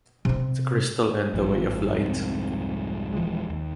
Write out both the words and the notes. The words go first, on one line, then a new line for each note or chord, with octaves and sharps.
The Crystal and The Way of Light.
C3 C4
G#1 F#2 A2 F3
C2 F2 G#2
D#1 E3 F3 G#3
D#2